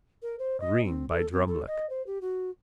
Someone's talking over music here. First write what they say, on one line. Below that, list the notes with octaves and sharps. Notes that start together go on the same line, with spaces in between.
Green by Drumleck.
A#4
C5
D#5
C4
A4
C4
A4
D#5
C5
G4
F#4